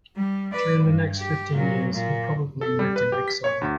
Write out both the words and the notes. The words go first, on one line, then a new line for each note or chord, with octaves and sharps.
During the next fifteen years he probably lived in exile.
G3
B4 D5
G2
G4
A#2 F#3
A#2
A4
G3
B4
G4
B6
C#5
D2